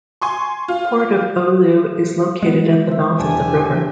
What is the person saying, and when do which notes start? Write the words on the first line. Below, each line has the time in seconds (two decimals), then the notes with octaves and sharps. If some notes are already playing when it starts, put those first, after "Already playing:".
Port of Oulu is located at the mouth of the river.
0.22 G#5 C6 C#6
0.68 F4
2.42 G#3 B3
2.87 C5 E5
3.20 E1 D4 G4 G#5 A5